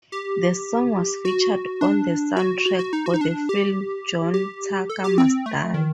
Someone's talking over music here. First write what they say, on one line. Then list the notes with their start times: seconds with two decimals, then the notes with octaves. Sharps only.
The song was featured on the soundtrack for the film "John Tucker Must Die".
0.12 G4
1.25 F#4
1.81 D4
2.37 F#4
2.66 F#4
2.79 F#4
2.93 D#4
3.06 F#4
3.14 D#4
3.21 D4
3.49 G4
4.34 G4
4.90 A4
5.04 G4
5.18 C4
5.46 A3
5.74 D#3